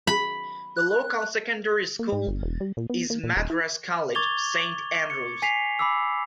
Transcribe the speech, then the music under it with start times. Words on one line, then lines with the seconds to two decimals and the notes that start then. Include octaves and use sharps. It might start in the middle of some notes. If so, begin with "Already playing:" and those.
The local secondary school is Madras College, Saint Andrews.
0.07 B5
0.77 F#6
1.99 A#3
2.12 G#2
2.27 G1
2.43 E1
2.60 G3
2.77 A#2
2.90 B3
3.10 A#3
3.24 A#2
3.36 D#1
3.50 E4
4.15 C#6 D6 G#6 A6 F7 G7
5.10 C#7
5.42 G#5 B6 C7 F7
5.79 B5 D6 E6